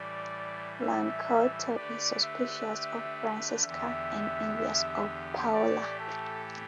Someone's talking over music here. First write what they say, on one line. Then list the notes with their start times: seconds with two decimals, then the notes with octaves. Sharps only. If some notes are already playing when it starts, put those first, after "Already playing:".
Lanceotto is suspicious of Francesca and envious of Paolo.
Already playing: A2 E3 G3 D5
0.82 E5
1.76 D3 A3 D4 G4 B4 D5
2.23 E5
3.64 E2 D3 B3 G4 E5
5.52 A2 E3 A3 G4 D5
5.99 A4